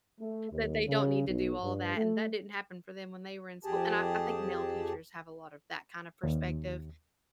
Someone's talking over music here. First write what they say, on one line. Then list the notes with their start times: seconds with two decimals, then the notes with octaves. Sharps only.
that they don't need to do all that, and that didn't happen for them when they were in school. And I I think male teachers have a lot of that kinda perspective,
0.21 A3
0.52 D#2
0.88 C#3
1.27 B1
1.62 G2
1.96 A3
3.64 F2 G4 G#4 A5
6.23 D#2